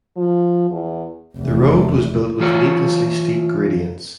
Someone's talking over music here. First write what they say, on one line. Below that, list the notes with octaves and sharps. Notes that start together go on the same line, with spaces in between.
The road was built with needlessly steep gradients.
F3
E2
F1 E2
E3 F4 C#5